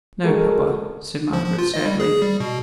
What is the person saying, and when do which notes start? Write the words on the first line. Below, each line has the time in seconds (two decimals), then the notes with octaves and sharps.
'No, papa,' said Margaret, sadly.
0.23 G#3 F#4 A4 A#4
1.33 F3
1.45 F3
1.58 F4
1.74 D#5
1.86 G3
2.00 G#4
2.22 G3
2.40 B2